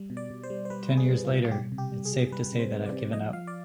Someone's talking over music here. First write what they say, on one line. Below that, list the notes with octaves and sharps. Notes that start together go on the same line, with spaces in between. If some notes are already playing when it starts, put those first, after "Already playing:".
Ten years later, its safe to say that I've given up.
Already playing: G3
B2
D5
B2
C5
G3
C5
G3 B4
B2
G#4
G3
F4
B2
F4
G3 G4
C3
G4
G3
G#4
G3
G3 B4
C3
C5
C3
D5
C3
F3 D#5
F3 F5
D5